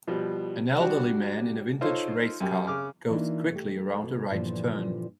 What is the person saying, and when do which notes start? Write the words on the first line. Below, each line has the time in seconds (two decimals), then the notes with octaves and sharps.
An elderly man in a vintage race car goes quickly around a right turn.
0.07 B2 F3 G3
0.78 G3 D4 F#4 G4
1.81 D#4 F4 A4 C5 C#5 C6
2.40 F#2 G4
2.67 C#3 D6 F6
3.10 E3 A#3 D4 D#4 F4
3.53 A3 G4
4.03 B2
4.31 G2 A#2 D3 E3 F3